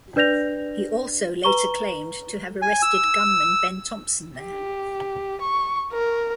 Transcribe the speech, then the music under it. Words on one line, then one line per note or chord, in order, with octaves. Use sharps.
He also later claimed to have arrested gunman Ben Thompson there.
D4 B4 D5 G6 A#6 F7
B4 A#5 C#6 G7
G#5
E6
G4
C#6
A#4